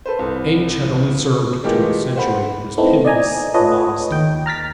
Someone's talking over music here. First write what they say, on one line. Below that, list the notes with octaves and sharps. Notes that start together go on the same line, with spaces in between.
Age had only served to accentuate this pitiless modesty.
A4 B4 C5
C2
E3 G#3 A3 F4 G4 A#4
C5 F#5 B5
A3 B3 C4 D#4 E4
D5 D#5 G#5 A#5
F4 A4 B4 C#5 D#5
D#2 G5
A#5 F6 A6 B6